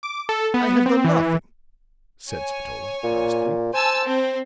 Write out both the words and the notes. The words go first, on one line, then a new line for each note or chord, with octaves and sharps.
"I have done nothing," said Spatola, earnestly.
D6
A4
B3
C4
E3
C#5 G#5
A#2
C5 G#5 A5 E6
C4